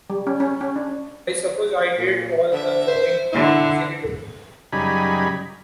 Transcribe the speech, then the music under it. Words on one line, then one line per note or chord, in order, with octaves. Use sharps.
I suppose I did all the jawing — I usually do.
G3
C#4
C#4
C#4
D4
A#2
D3 E5
C5
D3 E4
F#2 C#3 G3 D#4 G#5 B5